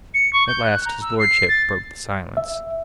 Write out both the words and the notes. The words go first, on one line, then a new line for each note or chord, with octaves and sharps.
At last his lordship broke the silence.
C#7
C#6
G6
F#6
A#5
E6
C7
A6
E5